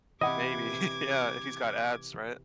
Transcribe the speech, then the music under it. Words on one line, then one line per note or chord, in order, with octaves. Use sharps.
Maybe, yeah, if he's got ads, right?
C3 E3 E4 D#5 F#5 D6 G#6